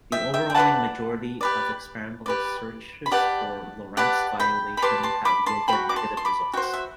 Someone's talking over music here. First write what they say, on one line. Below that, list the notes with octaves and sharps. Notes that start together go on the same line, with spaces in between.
The overwhelming majority of experimental searches for Lorentz violation have yielded negative results.
E5 G5
E5 G5
G5
G4 B4 D5 F#5 A5
G4 B4 D5
G4 B4 D5
B5
G4 B4 D5 F#5 A5
G4 B4 D5 F#5 A5
G5 B5
B5
G4 B4 D5 A5 C6
A5 C6
B5 D6
A5 C6
F#4 C5 G5 B5
D6
A5 C6
C6
B5 D6
F#4 C5 G5
F#5
E5